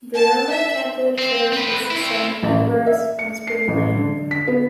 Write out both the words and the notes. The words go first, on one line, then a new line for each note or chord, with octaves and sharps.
The Roman Catholic church is Saint Edward's, on Spring Lane.
A5
E5
C4
C4 B4
C4 E4
A1
A#3
E5
C#7
C7
A1
D3
B6
B3